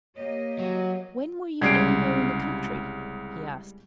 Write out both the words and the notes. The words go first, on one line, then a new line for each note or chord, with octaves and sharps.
"When were you anywhere in the country?" he asked.
A#3 G4 C#5 D#5
F#3
C2 C#3 G3 G#3 G#6 C7 D7